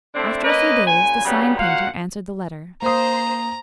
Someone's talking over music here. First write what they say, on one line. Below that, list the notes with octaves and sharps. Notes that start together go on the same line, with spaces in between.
After a few days the sign painter answered the letter.
D3 A3 C4 D4 E4
A#3 C#4 B4 D#5
A#2 C#3 G#5
C#3 F#3 G3 B3
A#2 F#4 F5 F#5
A#3 C5 A#5 D#6